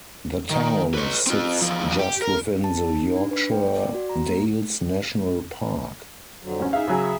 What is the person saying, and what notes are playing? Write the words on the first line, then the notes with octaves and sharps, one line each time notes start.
The town sits just within the Yorkshire Dales National Park.
D#3
B4 C#5
C4 F4
E2 F3
G4
A#4
A5
D#4
D4
B4
G5
D5
F#4
A#5
A#3
F2 D3 F#3
A1 C#4
D#4 G#4 E5 F5
C#3 F#3 G#5